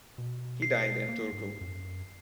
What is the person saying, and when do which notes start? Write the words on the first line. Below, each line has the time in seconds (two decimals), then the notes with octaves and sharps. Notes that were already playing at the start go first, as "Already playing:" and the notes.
He died in Turku.
0.18 B2
0.62 C7
1.08 A#3
1.33 G#2
1.61 F#2